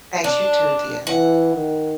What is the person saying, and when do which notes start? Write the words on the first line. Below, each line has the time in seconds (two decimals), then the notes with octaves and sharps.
Thanks, you too, dear.
0.24 D4
1.07 E3 F#5
1.54 D#3